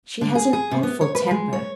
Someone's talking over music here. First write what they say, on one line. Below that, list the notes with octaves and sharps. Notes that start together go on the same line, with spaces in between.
'She has an awful temper.'
D3
G#4
G#4
C3
B3
C#5
B4
G#3
C#5